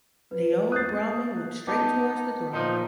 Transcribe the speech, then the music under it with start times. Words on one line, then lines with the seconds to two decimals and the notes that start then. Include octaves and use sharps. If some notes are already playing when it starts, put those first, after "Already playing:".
The old Brahmin went straight towards the throne.
0.31 B4
0.72 D#6 F#6 G6 A6 C7
1.67 B3 D#4 A5 D6
2.53 A#2 F3 D#4